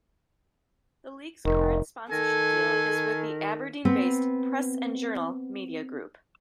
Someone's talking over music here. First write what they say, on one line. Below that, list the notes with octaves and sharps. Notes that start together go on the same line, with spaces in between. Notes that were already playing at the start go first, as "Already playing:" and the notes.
The league's current sponsorship deal is with the Aberdeen-based "Press and Journal" media group.
F1 D#3
D#3 A4 G#5
B3 C4